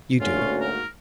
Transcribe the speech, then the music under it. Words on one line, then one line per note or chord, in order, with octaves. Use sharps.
You do.
D2 G#2 A#3 C#4 F4 F#4
A#4